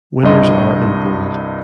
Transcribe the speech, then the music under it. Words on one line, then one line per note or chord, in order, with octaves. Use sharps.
Winners are in bold.
C2 G2 D#5 C6